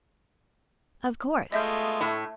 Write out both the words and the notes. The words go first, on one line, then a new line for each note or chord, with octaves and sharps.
'Of course!
G#3 A3 B3 F4 D#5 E5 G6
A2